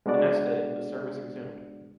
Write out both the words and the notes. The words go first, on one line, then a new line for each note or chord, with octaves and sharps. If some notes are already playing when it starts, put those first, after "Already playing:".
The next day, the service resumed.
G#3 B3 D4 F#4 D5